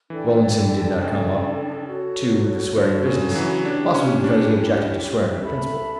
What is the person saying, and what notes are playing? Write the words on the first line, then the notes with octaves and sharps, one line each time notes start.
Rollinson did not come up to the swearing business; possibly because he objected to swearing on principle.
E3 D4 A4 D5 G5
D3
C#3
F#4 A4 C#5
D3
C#3
F#3
E3
D4 E4 G4 C#5
C#4
D4
A4 E5 B5